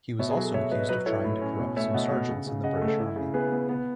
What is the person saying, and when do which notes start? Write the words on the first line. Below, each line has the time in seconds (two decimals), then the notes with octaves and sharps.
He was also accused of trying to corrupt some sergeants in the British Army.
0.19 B2 C#5 E5
0.31 G#4
0.37 F#3
0.43 A4
0.54 B2 C#5 E5
0.71 F#3 B4 D#5
0.89 F#3 B4 D#5
1.06 E4 A4 C#5
1.24 A2
1.42 C#4
1.60 B2
1.76 A3 C#5 E5
1.94 B2 D#5 F#5
2.11 B2
2.28 C#3
2.47 C#3
2.64 C#3 D#5 F#5
2.76 A4
2.82 A3
2.88 A4
2.99 E4
3.16 C#3
3.34 B3 G#4 B4
3.51 B3
3.69 B3